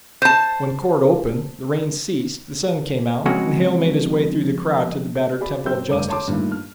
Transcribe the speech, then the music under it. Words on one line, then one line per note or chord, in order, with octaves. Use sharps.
When court opened, the rain ceased, the sun came out and Hale made his way through the crowd to the battered temple of justice.
C5 A5
F2 C#3 G#3 F#4
F#4 G#4 D5 B5
F#2 C4 G5 E6 G6
F1 G2 D6 D#7
C#5 A5 C6 D6
G2 A#2 D#3 A3
F6